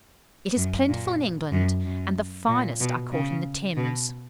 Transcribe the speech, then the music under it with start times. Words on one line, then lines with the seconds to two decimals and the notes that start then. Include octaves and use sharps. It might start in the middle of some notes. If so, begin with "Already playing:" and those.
It is plentiful in England, and the finest are caught in the Thames.
0.57 F#2
0.88 A#2
1.52 F#2
1.84 F#2
2.49 A#2
2.81 B2
3.12 C#3
3.77 B2